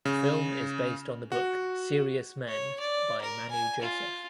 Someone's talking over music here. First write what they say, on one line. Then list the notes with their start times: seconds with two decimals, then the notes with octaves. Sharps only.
The film is based on the book "Serious Men" by Manu Joseph.
0.05 C#3
1.32 F#4
2.48 C#5
2.80 D5
3.22 A#4
3.51 G#5
3.82 F4